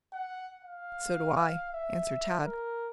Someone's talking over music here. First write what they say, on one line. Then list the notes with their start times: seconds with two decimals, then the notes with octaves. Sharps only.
"So do I," answered Tad.
0.13 F#5
0.65 F5
1.73 E5
2.45 A#4